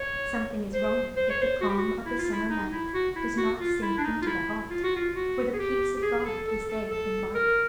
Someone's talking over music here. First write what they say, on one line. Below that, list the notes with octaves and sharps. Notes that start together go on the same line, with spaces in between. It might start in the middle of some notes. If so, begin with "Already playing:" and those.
Something is wrong if the calm of the summer night does not sink into the heart, for the peace of God is there embodied.
Already playing: C#5
C5
C5
C#5
C5
F#4
G4
F#4
E4
F4
E4
D#4
E4
F#4
E4
F#4
F4
E4
D4
D#4
F4
E4
F4
F#4
F4
F#4
G#4
G4
G4
G#4
G#4
A4
A4
A4
A4
A#4